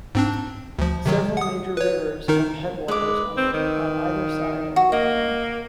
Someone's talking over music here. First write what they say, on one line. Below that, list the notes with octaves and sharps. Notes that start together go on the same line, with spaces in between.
Several major rivers have headwaters on either side of the range.
G#2 C4 D4
D2 F3
C3 D#3 F#3
F#5 D#6
B4 C#5
D#3 D#4 A#4
G#3 B4 D6
C4
D#3
F#4
A#3 D#5